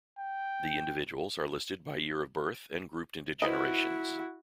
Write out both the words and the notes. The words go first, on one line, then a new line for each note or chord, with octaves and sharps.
The individuals are listed by year of birth and grouped into generations.
G5
E4 F#4 B4 C5 D#5